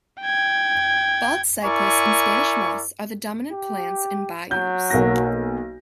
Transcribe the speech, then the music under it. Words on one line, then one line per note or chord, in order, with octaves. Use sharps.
Bald cypress and Spanish moss are the dominant plants in bayous.
G5 G#6
E4 A#4 D5 G#5 C#6
G4
F#3 G6
B1 A#3 A#6